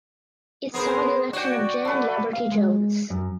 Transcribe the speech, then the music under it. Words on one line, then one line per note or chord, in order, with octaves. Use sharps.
It saw the election of Jan Laverty Jones.
B3 G#4 A#4 C5
F#4 C#5 D5 G5
A4 B4
F5
G#3
F#2